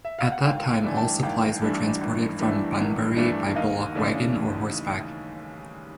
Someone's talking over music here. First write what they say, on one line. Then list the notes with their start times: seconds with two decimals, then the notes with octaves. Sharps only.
At that time all supplies were transported from Bunbury by bullock wagon, or horseback.
0.05 E5
0.19 F5
0.32 F#5
0.46 G#1 F5 G5
0.84 G2 E3 A3 D4 G#5
0.97 G5 A5
1.23 G#1 F5 G5
1.62 G2 E3 A3 D4
2.01 G#1
2.39 G2 E3 A3 D4
2.78 G#1
3.17 G2 E3 A3 D4
3.56 D#2 D#5 F5
3.95 C#3 E3 A3 D4